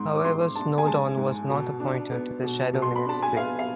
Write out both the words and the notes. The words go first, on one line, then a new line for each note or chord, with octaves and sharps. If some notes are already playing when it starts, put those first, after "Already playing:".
However, Snowdon was not appointed to the shadow ministry.
Already playing: G#2 G#3 C6
D6
G#2 C6
D4 A5
G#5
G#3 A5
G#2
B2
D4
B3
B2
B2
C6
B5
D4 A5
G#5
B3 F5
F5